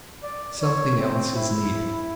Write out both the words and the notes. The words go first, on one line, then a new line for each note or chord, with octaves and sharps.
Something else is needed.
D5
C#5
C4
E4